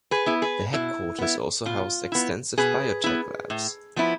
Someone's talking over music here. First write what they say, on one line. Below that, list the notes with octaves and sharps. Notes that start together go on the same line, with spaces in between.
The headquarters also housed extensive biotech labs.
G#4 B4
B3 E4
G#4 B4
B2 E4
B3 E4
B2 F4
B3 E4
B2 G#4 B4
B3 E4
A2
F3 B3 E4